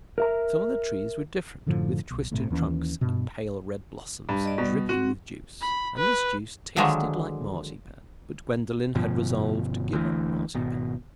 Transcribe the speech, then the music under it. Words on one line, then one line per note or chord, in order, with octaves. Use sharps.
Some of the trees were different, with twisted trunks, and pale red blossoms dripping with juice; and this juice tasted like marzipan, but Gwendolen had resolved to give up marzipan.
A#4 E5 A#5
F#2 A2 D3 F3
B1
G1 A2 C3
D#2 E3 C#4
G2 B2
G2
D5 D#5
B2 G3
C4 F#4
B5
B4
D3 D#3 F3 F#3 G#3
G1 G2 B2 F3
D2 E3
G#1 B2